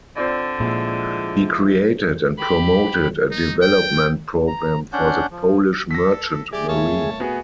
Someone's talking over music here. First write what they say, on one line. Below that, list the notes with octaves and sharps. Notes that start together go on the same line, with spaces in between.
He created and promoted a development program for the Polish merchant marine.
D3 C4 F4 D5
A#2 F3 G#3 E4
G4 B5
D#4
G5
A#5
C#4 D4 F#5 G6
F3
A4 A#6 B6
G4 G#4 D5 E5 G#5
A#2 A3 C#5 F5 A5
B3 F#4 G#4